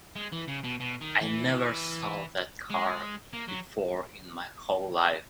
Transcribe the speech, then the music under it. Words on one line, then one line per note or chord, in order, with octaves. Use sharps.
I never saw that car before in my whole life.
G#3
E3
C#3
B2
B2
D#3
E3
G#3
A#3
F#3